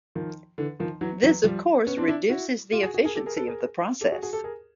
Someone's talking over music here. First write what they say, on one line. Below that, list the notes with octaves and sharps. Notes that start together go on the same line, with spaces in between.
This, of course, reduces the efficiency of the process.
D#3 F3
D3 E3
D#3 F3
E3 F#3
E3 F#3
F3 G3
B3 C#4
C4 D4
D4 E4
E4 F#4
F4 G4
F#4 G#4
F#4 G#4
G#4 A#4
G4 A4
G#4 A#4
A4 B4
G#4 A#4
G4 A4
F#4 G#4
F#4 G#4
G4 A4
G#4 A#4